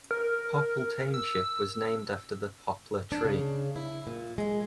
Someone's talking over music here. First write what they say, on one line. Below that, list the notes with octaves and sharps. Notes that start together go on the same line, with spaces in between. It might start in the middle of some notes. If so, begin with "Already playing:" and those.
Popple Township was named after the poplar tree.
A#4
E6
D4
C#3
E4
A#2
G#3